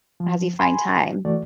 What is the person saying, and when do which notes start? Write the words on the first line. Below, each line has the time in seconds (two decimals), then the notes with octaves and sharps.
as you find time.
0.20 F3
0.59 G#5 B5 C6
1.25 E3 A3 F#4 D5